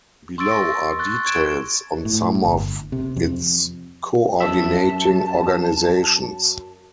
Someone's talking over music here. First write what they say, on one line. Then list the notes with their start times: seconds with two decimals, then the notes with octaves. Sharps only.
Below are details on some of its coordinating organizations.
0.38 C6 C#6 E6 A6 D7
0.51 A#6
0.99 C#6 F#6 A6
1.25 C#6 G#6 D7 E7
2.05 A2
2.44 G1
2.92 C3
3.16 F2
4.40 F#2 E5 A5